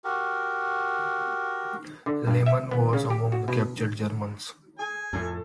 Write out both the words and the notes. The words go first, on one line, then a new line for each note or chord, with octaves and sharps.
Lehmann was among the captured Germans.
F#4 G4 A#4
D3
G2
E5
B3
C#3
G4
F#4
B2
G#4 G#5
F2 A2 A4